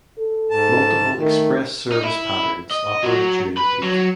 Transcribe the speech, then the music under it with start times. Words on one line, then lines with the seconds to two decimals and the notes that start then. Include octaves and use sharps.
Multiple express service patterns operate during peak.
0.18 A4
0.50 G#2 A5
1.20 D#3 A3
1.92 D#4
2.04 E4
2.71 D#5
3.03 F#3
3.57 B4
3.83 F#3